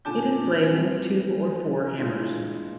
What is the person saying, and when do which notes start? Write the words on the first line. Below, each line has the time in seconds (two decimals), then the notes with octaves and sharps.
It is played with two or four hammers.
0.05 A#2 D3 G#5 A5 D6 G6
0.66 G3 B3 C4
1.98 G2 A#2 E3 G#3 D4